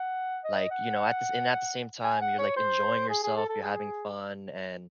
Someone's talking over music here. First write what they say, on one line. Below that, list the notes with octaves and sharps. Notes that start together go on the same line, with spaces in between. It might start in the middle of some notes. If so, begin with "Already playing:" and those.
like, you know, at the sa and at the same time, you're enjoying yourself, you're having fun, and
Already playing: F#5
D#5
F#5
G#5
F#5
C#5
C5
G#4
G#4
A4
A4
G#4